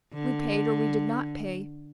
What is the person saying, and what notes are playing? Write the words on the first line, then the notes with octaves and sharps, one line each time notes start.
We paid or we did not pay.
D3